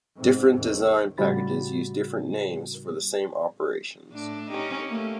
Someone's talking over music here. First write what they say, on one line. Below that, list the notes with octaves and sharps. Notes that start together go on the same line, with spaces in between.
Different design packages use different names for the same operations.
G#2 C3
D#2
A2 C#3 G3 F#4 B5 A6
A2 D4
C#4 D#4 G4
A3 A#3